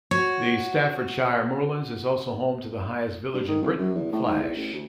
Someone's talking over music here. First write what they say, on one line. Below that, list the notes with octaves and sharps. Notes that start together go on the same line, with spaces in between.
The Staffordshire Moorlands is also home to the highest village in Britain, Flash.
F#4 C#5
G2
D#3
C2
F#2
E2
A2
G#2
E2
A1
D2